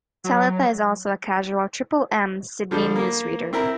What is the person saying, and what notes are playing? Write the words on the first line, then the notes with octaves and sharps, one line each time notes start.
Talitha is also a casual Triple M Sydney newsreader.
F#3
D3 F3 G3
A#3
C4 E4 A#4